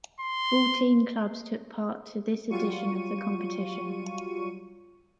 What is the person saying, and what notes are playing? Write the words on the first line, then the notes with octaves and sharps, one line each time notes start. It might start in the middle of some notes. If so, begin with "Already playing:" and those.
Fourteen clubs took part to this edition of the competition.
C6
F#3 G3 F4 C#6 D#7